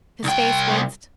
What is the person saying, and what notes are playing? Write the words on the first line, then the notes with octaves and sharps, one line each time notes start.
His face winced.
C2 G5